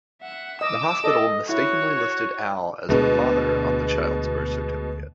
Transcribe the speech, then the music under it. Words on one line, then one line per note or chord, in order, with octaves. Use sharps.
The hospital mistakenly listed Al as the father on the child's birth certificate.
E5 F#5
D#5 D6 E6
A4 D5 D#5
E4 F#4 C#5
D2 B2 G#3 D4